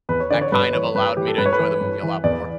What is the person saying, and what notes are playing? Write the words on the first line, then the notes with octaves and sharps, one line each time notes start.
that kind of allowed me to enjoy the movie a lot more.
E2 B4
C#5
D3 D5
C#5
G2 B4
E3 C#5
G2 B4
E3 G4
A4
G2 B4
C#5
B4
E3
G2
E3
E2 D5